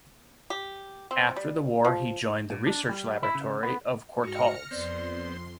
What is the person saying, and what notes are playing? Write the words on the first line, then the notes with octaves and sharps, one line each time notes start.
After the war he joined the Research Laboratory of Courtaulds.
G4
C4
G3
F3
A#2
D4
G3
E4
C#3
B3
G#2 F#4 C#6 F6 A#6 C#7
F2 B3 C4 C5 D5 C6